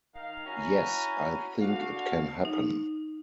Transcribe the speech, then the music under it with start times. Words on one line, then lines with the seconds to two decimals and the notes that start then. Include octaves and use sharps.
Yes, I think it can happen.
0.15 D#3 F5
0.46 C#4 E4 F#4 G#5 A#5
1.60 D3 F#4 F5
2.45 D#4